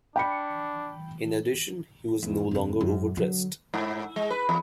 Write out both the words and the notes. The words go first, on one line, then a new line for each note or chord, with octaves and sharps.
In addition he was no longer overdressed.
D4 G5 B5 C#7
E2
F2 D3
F#2
D3 F#3
G#2
G#3
B4
E2